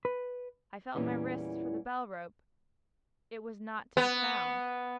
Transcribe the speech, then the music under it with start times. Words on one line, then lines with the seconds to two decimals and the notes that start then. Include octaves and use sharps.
I felt my wrists for the bell-rope: it was not to be found.
0.05 B4
0.95 E2 A#2 E3 G3 C#4
3.97 B3